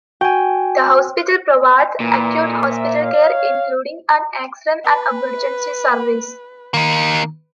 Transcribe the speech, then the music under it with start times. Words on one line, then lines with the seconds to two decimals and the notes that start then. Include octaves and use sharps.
The hospital provides acute hospital care, including an Accident and Emergency service.
0.21 F#4 G5 G#5
2.00 A#2 E3
2.35 F2 A3
2.70 C5 E5
3.00 C#5 F5
4.84 B4
6.74 D#3 A#3 D#4